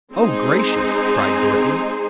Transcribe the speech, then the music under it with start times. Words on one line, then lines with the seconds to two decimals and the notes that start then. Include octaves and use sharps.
"Oh, gracious!" cried Dorothy.
0.13 G#3 C4 D#4 G#4 C5